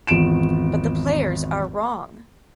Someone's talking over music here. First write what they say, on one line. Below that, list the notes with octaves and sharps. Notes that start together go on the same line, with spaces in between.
But the players are wrong.
G#1 E2 F4 D7 E7